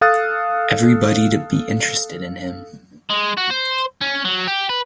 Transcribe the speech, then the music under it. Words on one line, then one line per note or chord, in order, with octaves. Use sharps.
Everybody'd be interested in him.
A4 F5 D#6 F#6 A6
G#3
F#4
C5
C#4
F#3
G4
B4